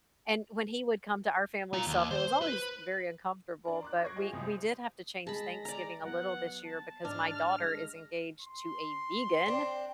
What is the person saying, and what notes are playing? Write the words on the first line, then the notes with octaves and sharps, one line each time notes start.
and when he would come to our family stuff, it was always very uncomfortable, but we we did have to change Thanksgiving a little this year because my daughter is engaged to a vegan
F4 A#5
D#2
C5
B4
D4 A#4
C6 D6 F#6
C#6 G#6 A#6 C7 D7
F4 G#4 C5 D#5 G5 G#5
C2 C4 D#6
G#3 G#4 A5 B5 A#6
D5 A#5
F#3 B3 F#5
A5
G#2 D4 F6
G#3 A#6
C6
C4 D4